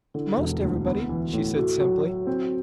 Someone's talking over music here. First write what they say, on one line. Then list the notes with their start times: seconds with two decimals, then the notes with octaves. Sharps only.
"Most everybody," she said simply.
0.14 D3 E4
0.38 E1
0.62 D2
0.85 B3
1.09 E3
1.33 A2
1.56 A3 F#4
1.80 F#3
2.04 F#3
2.27 C4